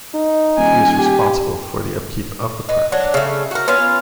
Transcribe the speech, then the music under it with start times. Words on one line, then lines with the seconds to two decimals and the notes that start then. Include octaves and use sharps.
He was responsible for the upkeep of the park.
0.15 D#4
0.58 D#1 G#5
0.98 G4
2.69 D#4 B4
2.92 F#3 D4
3.14 C#3 A3
3.51 F#4 A#4
3.68 B3 C#4 F4 F5